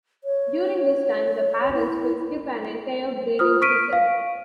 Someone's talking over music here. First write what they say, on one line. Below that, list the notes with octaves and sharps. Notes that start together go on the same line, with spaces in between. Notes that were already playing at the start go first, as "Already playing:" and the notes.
During this time, the parents will skip an entire breeding season.
C#5
E4
F4 C5 D#6 F6
C#6 F6 B6 D7 D#7
F5